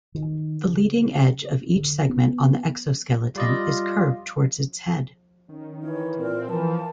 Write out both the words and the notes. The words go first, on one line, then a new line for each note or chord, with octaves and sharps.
The leading edge of each segment on the exoskeleton is curved towards its head.
D#3
C#3
D3
B3
G3 F4 D5 D#5
D#3 C#4
E3 C#5
A#2 C4 A#4
E3 F3 A#4 A5